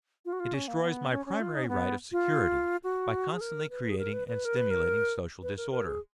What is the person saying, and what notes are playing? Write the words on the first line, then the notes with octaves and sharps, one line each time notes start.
It destroys my primary right of security, by constantly creating and stimulating social disorder.
F4
F#4
F4
C#4
A#3
B3
C#4
C#4
F4
D#4
C#4
B3
F4
F#4
G#4
A#4
B4
G#4
A#4
B4
B4
A#4
B4
A#4
B4
A#4
A#4
G#4